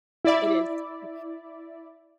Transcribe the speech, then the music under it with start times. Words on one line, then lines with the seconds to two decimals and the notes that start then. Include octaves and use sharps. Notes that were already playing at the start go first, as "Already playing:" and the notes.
It is.
0.25 E4 D5 E5